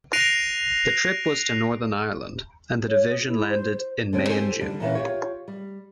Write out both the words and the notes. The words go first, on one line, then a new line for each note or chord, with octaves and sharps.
The trip was to Northern Ireland, and the division landed in May and June.
F#6 A#6 C7 D7 D#7 F7
C#5
G#4
E4
C5
C5
D3 C4 C#4 G5
G4 A4 C5 G#5
D3 G3
A#2 E3 B3 C#4
F4 G4 C#5
G3